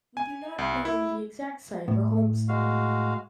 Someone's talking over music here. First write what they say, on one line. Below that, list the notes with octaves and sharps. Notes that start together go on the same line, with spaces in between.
We do not know the exact site of the homestead.
G#5
C2
E4
A2
G#3 F#4 F5